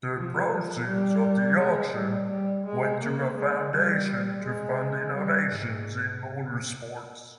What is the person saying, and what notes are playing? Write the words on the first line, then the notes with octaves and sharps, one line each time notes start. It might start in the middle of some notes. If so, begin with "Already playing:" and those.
The proceeds of the auction went to a foundation to fund innovations in motorsports.
F3
G3
G#3
G3
G3
G#3
A#3
G#3
G3
G#3
G3
G#2